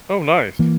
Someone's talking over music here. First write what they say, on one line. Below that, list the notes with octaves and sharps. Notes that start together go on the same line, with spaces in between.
Oh, nice.
E3 A#3